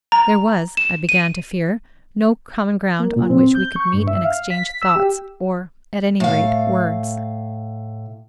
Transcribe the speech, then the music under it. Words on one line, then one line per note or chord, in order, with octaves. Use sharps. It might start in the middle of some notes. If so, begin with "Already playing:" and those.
There was, I began to fear, no common ground on which we could meet and exchange thoughts, or, at any rate, words.
A#5
E7
D#7
A#3
A#2
C4
G6
C#6
G2
E5
F5
B6
B6
E6
G4
A2 F5